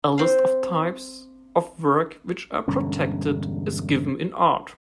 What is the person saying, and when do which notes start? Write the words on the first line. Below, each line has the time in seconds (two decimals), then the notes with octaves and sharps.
A list of types of work which are protected is given in Art.
0.18 C4 F5
2.68 E1 G2 D3 C#4